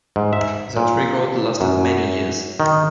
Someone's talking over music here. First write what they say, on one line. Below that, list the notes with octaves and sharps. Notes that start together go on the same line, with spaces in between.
That record lasted many years.
G#2
E5
A#2
F#2
D#3